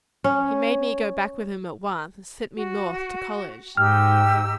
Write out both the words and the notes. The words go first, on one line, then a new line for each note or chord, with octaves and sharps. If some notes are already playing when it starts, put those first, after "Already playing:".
He made me go back with him at once and sent me North to college.
C#4
F#4
G#2 D#4 G4 G5 E6 F6